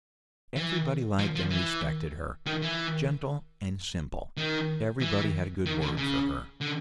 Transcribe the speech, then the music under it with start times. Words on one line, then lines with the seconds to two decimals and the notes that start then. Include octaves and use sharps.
Everybody liked and respected her, gentle and simple--everybody had a good word for her.
0.56 E3
1.19 F3
1.35 F3
1.51 E3
2.46 D#3
2.62 E3
4.37 D#3
5.01 E3
5.66 D#3
5.81 D3
5.97 C#3
6.61 D3